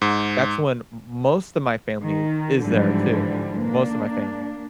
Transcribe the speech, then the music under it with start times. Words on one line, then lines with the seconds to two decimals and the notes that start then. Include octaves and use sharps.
that’s when m most of my family is there too. Most of my family.
0.02 G#2
2.01 D#3
2.61 G#2 D3 E3 F3 G3
3.61 A#3 D4